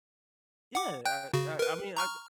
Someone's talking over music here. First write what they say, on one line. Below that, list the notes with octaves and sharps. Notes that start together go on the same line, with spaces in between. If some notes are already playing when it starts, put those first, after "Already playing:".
Yeah, I I I mean, I
F#5 D6
G5 F#6 G6
C#3 F#4
A#4 B4
A#5 C#6 F6